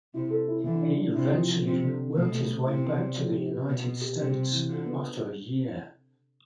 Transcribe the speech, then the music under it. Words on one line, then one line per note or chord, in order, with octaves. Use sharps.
He eventually worked his way back to the United States after a year.
C3 E4
A4
E4
D3 E3
D4
D4
C3 E4
F3
F3
C3 C4
D3
C4
B2 A3
A3
A3
C3 E4
B3
D5
F3
G4
B4
B2 B3
B3
G4
C3 G3
C3
E3
D3 F4
B3